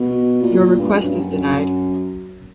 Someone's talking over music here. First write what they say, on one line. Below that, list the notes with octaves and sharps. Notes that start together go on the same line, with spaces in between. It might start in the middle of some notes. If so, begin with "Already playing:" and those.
Your request is denied.
Already playing: B2
A#2
G2
F#2
G2
F#2